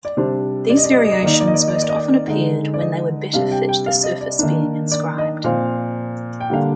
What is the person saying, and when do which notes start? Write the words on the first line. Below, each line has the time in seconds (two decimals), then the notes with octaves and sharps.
These variations most often appeared when they would better fit the surface being inscribed.
0.05 D5
0.17 C3 G3 D4 C5
0.70 D5
0.77 D#5
0.84 D5
0.91 D#5
0.98 D5
1.05 D#5
1.12 D5
1.19 D#5
1.23 D#3 A#3 D#4 D5
1.34 D#5
1.40 D5
1.47 D#5
1.54 D5
1.61 D#5
1.68 D5
1.75 D#5
1.82 D5
1.89 D#5
1.96 D5
2.28 D3 G#3 D#4
2.74 D5
2.80 D#5
3.33 C3 G3 D4 F5
3.51 G5
3.69 G5
3.86 F5
4.03 D#5
4.21 D5
4.39 D#3 A#3 D4
4.92 D5
5.18 D#5
5.44 A#2 F3 C4 F5
6.40 G5
6.50 D3 G3 A#3 D4 F5